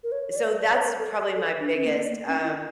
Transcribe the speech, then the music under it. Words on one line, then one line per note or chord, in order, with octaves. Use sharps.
so, that's probably my biggest, um
A#4
C#5
C#5
D5
D5
C#5
A#4
A4
A4
D4
C#4
A#3
A#3
C#4
E4